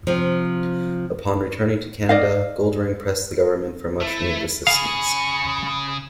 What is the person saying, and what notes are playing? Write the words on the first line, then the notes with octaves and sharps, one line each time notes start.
Upon returning to Canada, Goldring pressed the government for much needed assistance.
C3 F3
D5 D#5 F5
A3 E4
C#3 G#4 F5 B5 C#6